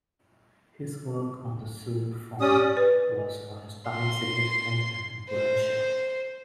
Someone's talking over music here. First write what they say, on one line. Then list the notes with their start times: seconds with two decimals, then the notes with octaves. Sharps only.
His work on the suite form was for his time significant and influential.
2.41 C#4 G4 D5 D#6
2.77 B4
3.90 C6
5.30 C5